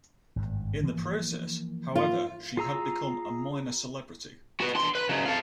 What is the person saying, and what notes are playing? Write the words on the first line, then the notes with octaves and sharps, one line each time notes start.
In the process, however, she had become a minor celebrity.
G#1 G2
E3 F3 A#3
F4
F4 G#4 A#5 E6
F#4 B4
D4 C6
B4
C#3 F#3
A4 F5